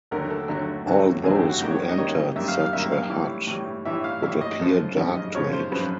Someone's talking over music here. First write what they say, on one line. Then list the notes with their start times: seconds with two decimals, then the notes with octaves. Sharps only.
All those who entered such a hut would appear dark to it.
0.11 D#2 D3 F#3 A3 A#4
0.30 A4
0.49 D#2 D3 F#3 A3
0.87 D#2 D3 F#3 A3
1.23 D#2 D3 F#3 A3 G#4
1.36 G4
1.49 F#4
1.61 F#2 D#3 G3 A#3 G4
1.71 C#5
1.89 D#5
1.98 F#2 D#3 G3 A#3 C#5
2.36 F#2 D#3 G3 A#3 E5
2.48 F5
2.60 F5
2.73 F#2 D#3 G3 A#3 E5
2.92 F5
3.10 A2 E3 G3
3.47 A2 E3 G3
3.85 A2 E3 G3 E5
4.04 F5
4.22 A2 E3 G3 E5
4.41 D#5
4.60 F#2 C#3 F3
4.97 F#2 C#3 F3
5.15 D#5
5.35 F#2 C#3 F3 C#5
5.53 C5
5.71 F#2 C#3 F3 B4